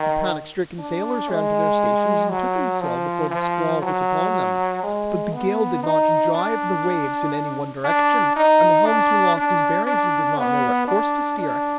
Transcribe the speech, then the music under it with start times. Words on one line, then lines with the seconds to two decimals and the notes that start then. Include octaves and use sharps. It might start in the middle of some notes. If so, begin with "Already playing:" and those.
The panic-stricken sailors ran to their stations and took in sail before the squall was upon them, but the gale did not drive the waves in any one direction and the helmsman lost his bearings and did not know what course to steer.
Already playing: D#3
0.79 D4
1.30 G#3
2.31 F#3
2.81 F3
3.31 F3
3.82 F#3
4.83 G#3
5.33 B3
5.84 D#4
6.35 D4
7.85 D4
8.36 D#4
8.86 D4
9.37 D4
9.87 D4
10.38 B3
10.88 D4
11.39 D4